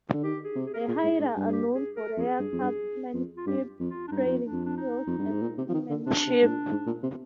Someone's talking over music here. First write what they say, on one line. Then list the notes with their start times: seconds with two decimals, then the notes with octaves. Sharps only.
The Haida are known for their craftsmanship, trading skills, and seamanship.
0.14 D3
0.23 D#3 G4
0.44 G#4
0.55 C3
0.66 G#4
0.73 A#4
0.80 G#4
0.88 A#2
1.03 G#2
1.19 G#2
1.36 G2
1.48 G#4
1.52 G4
1.75 G#4
1.96 A#4
2.17 F2 G#4
2.39 G2
2.52 F2
2.61 G2
3.14 F2
3.37 F4
3.46 G2 G4
3.80 F2
3.90 F4
4.07 D4
4.11 G2 D#4
4.26 F2
4.44 D4
4.52 F2
4.65 D4
4.77 D#4
5.07 F2
5.18 G2
5.30 G#2
5.42 A#2
5.58 C3
5.69 F3
5.74 D#3
5.90 D3
6.06 C3 D4
6.27 C3
6.42 G#2
6.49 A#2
6.71 G#2
6.86 A#2
7.03 C3